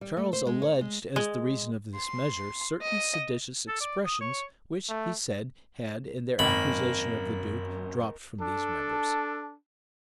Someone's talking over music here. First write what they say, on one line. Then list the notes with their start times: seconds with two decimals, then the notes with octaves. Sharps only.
Charles alleged, as the reason of this measure, certain seditious expressions, which, he said, had, in their accusation of the duke, dropped from these members.
0.01 G3
0.17 A3
0.33 C5
0.47 G#3
0.62 C#5
0.81 G#3
1.16 G#3
1.95 C6
2.81 D#5
3.68 A4
3.81 D5
4.05 D#6
4.21 C#5
4.89 A3
6.39 G#1 F#2 A#3 B5
8.41 D4 A4